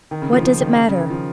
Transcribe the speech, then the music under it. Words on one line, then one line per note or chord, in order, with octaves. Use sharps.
What does it matter?
D#3
C#3
F3
F3
D#3
D#3
C#3
C#3
D#3
F3